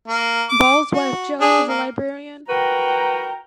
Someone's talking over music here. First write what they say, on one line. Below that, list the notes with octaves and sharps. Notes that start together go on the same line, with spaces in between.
Ball's wife Jill is a librarian.
A#3
D6
F#4
D4 G#4
A#3
F#4 A#4 B4 G5 A#5